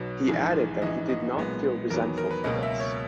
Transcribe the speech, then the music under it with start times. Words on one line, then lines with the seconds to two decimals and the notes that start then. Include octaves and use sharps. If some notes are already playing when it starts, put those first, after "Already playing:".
He added that he did not feel resentful for this.
Already playing: B1 B2 F#3 B3
0.29 A#1 G#2 E3 G#3
0.82 A#1 G#2 E3 D#5
1.09 D#5
1.37 B1 A#2 G#3 B3
1.90 E2 D#3 F#3 B3 A#4
2.18 A#4
2.31 B4
2.44 C#2 B2 F#3 A#3 D#5
2.63 E5
2.80 C#5